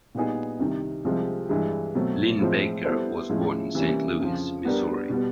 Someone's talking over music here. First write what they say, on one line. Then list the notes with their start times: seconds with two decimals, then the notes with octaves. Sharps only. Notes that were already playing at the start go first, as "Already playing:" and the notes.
Linn-Baker was born in Saint Louis, Missouri.
0.15 A#2 G3 B3 D#4 G#4
0.59 C2 C3 D#3
1.05 C2 C3 F3 G#3 C4
1.49 G2 E3 G#3
1.95 B2 F#3 A3 C4
2.39 A2 F3 G#3 C4 F4
2.85 G3 B3 E4 A4 C5
3.29 A2 F3 G#3 C#4 E4
3.75 C3 E3 G3 A#3 C#4
4.19 F2 C#3 F3
4.65 G3 B3 D4 G4 A#4
5.09 B2 G3 B3